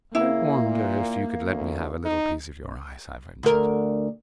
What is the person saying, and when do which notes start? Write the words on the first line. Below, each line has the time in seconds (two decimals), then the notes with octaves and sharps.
"I wonder if you could let me have a little piece of your ice," I ventured.
0.15 C#3 A#3 E4
0.64 A#2
1.47 D2
2.05 D#4
3.43 D2 A#4